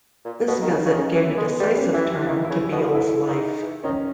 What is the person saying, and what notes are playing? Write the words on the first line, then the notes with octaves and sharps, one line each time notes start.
This visit gave a decisive turn to Beel's life.
A#2
B3
B2 A#3
D#3
C#3 D#4
C#3
D#3 C#4
E3
B3
G#3
G3 B3
C#4
E3 G4
E4
E3
D#3 E4
E4
C#3
G4
B2
E4
G#2 E4
D#3 D#4
E3
D#3 C#4